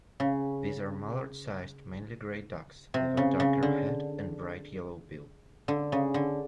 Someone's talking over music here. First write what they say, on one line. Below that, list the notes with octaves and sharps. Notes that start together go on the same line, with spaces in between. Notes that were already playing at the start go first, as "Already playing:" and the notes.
These are mallard-sized mainly grey ducks with a darker head and bright yellow bill.
C#3
C3
C#3
C#3
D3
D3
C#3
D3